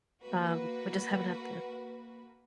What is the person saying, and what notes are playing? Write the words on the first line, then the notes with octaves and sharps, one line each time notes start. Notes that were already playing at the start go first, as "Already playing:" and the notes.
um, we just haven't had the
A#3 F#4 B4